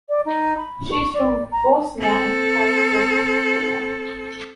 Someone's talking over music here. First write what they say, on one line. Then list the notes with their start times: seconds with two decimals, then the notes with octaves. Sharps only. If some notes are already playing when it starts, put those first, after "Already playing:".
She’s from Bosnia and Herzegovina.
0.09 D5
0.25 D#4
0.57 B5
0.91 C#6
1.14 D5
1.51 A#5
2.00 C4 A4